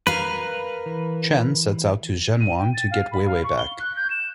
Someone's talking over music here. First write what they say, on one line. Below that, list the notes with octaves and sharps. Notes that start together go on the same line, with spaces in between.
Chen sets out to Zhenyuan to get Weiwei back.
A#4 B4 F5
E3
D#7
G5
A6
F5
B5
F5
C#6
G7
F#6
G6
E7